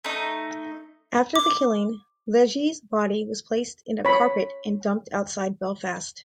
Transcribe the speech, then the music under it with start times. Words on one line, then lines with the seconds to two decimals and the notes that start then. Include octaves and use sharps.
After the killing, Legge's body was placed in a carpet and dumped outside Belfast.
0.04 A3 D#4
1.36 D6
4.05 C#5 B5